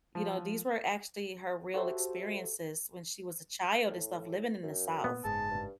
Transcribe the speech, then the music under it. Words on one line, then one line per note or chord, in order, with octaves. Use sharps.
you know, these were actually her real experiences when she was a child and stuff living in the South
F3
F#4 G4 A4 C5 E5
A2
F#2
A#2 B3
F#1 G#2 G#4 A5
G2